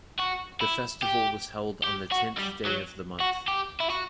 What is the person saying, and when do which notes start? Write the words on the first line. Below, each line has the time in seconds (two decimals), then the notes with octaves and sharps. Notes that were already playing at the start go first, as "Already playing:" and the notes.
The festival was held on the tenth day of the month.
0.20 F#4
0.61 E4
1.03 G4
1.84 G4
2.12 F#4
2.39 G3
2.66 F#3
3.20 F#4
3.48 G4
3.80 E4
3.90 F#4